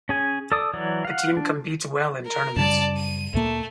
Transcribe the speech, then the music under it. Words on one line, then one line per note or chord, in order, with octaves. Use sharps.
The team competes well in tournaments.
C#4 G#4 G#5
A4 D5 D#6
E3 F#3 D5
F5 F#5
D4
A#4
F#2 C#3 G3 D5 A5
D#7
D2 A#2 A3 A#3